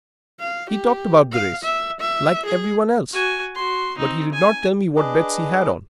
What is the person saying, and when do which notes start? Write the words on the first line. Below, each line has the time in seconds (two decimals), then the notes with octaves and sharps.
"He talked about the race, like everyone else, but he did not tell me what bets he had on."
0.40 F5
0.70 G4
1.32 F5
1.63 E5
2.00 E5
2.46 G#4
3.13 F#4 G#5
3.55 F#4 C6
3.98 C4 D#4
4.33 G#5
4.96 D4 G#4 B4 D#5 D6